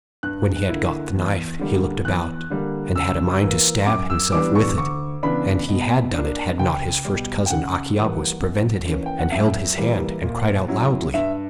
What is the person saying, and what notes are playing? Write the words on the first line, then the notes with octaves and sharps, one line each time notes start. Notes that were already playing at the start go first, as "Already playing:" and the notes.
When he had got the knife, he looked about, and had a mind to stab himself with it; and he had done it, had not his first cousin, Achiabus, prevented him, and held his hand, and cried out loudly.
G2 F#6
D3 A#3 E4
E2
D3 G3 A#3
E2 F#6
D3 G3 A#3
C#3 E6
E3 A#3
F#2 D6
E6
E3 G3 B3 D4 D6
C#6
D2 C#6
C#3 E3 B3 D4 B5
B2
A#3 D4
C#2 G5
B2 G3
G5
C#3 F#5
E3 G3 A#3
F#2
E3 A#3 C#4
G5
F#5
F#2 E5
E3 G3 A#3
A#2
F#3 C#4 E4
G2 E5